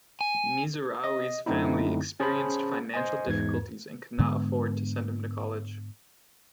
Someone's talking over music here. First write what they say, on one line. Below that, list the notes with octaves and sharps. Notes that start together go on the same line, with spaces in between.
Misuari's family experienced financial difficulties and could not afford to send him to college.
G#5
D#5
F#2 D3 A3 C4 D#4 E4
C#4 G#4 C5 A5 B5
C5 D#5 G#5
E2 G#2 G#6
G#2 D3 G#3 B3